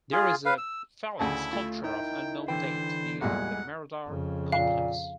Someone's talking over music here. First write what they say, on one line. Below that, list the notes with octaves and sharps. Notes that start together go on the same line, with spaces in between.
There is a phallic sculpture of unknown date near the Mirador Complex.
F4 G#4
B4 F5
E6
D2 C#3 E4 A5
A3 F4
D#4 E4 A#4 G5
D3 E3 B4 C5 G5
A1 E2 A#2 G3 G#3 G#4 F#5
F2 C#3
A#2 F5